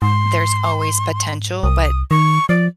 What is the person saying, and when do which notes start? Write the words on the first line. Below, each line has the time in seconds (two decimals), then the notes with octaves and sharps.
there's always potential, but,
0.02 G#2 C6
1.63 C2 D#6
2.11 D#3 C#6
2.49 F3 D5